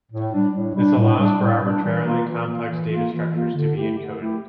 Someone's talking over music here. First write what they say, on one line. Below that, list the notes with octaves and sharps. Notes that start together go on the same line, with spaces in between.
This allows for arbitrarily complex data structures to be encoded.
A2
G3 D4
A2
G3 D4
A2
G3 D4
A2
G3 D4
E3
A#3 F4
E3
A#3 F4
E3
A#3 F4
E3
A#3 F4
D3
A3 E4 G4
D3
A3 E4 G4